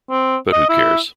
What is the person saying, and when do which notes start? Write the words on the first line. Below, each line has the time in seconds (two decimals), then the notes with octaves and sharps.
But who cares?
0.10 C4
0.52 D#5
0.69 E4